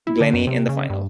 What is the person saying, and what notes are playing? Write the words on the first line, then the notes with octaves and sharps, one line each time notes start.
Glenny in the final.
E4
D3
F#2
C3
C#3
G2